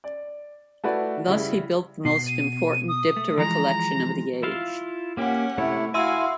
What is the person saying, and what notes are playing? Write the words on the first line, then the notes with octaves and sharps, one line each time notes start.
Thus he built the most important Diptera collection of the age.
D5
A3 E4 F#4 B4 D5
C#3 G3 E4
B2 C7
D#7
D#6
A3
E3 F3 G#3 A#5
E4 F4 F5
A#3 C#4 G4 F#5
C3 A3 E4 C#5
E4 F#4 E5 F5 G#5 C6 E6